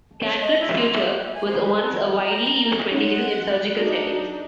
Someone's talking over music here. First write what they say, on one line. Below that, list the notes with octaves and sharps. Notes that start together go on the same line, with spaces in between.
Catgut suture was once a widely used material in surgical settings.
C#5
D#5
E4
C6
E5
G4
E5
G#5
C5
B5
A4
A#5
G#3 C#4 D#4 C#5 F#5
D4 D#4 F#4 G#4